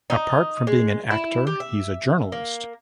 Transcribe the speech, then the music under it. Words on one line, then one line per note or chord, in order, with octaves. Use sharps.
Apart from being an actor, he’s a journalist.
D#4
G#3
E4
G4
E5
A#3